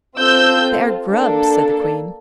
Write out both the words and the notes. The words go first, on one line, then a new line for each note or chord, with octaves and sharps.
"They are Grubs," said the Queen.
C4 F4 A4 E6 G6
A#3 D4 A4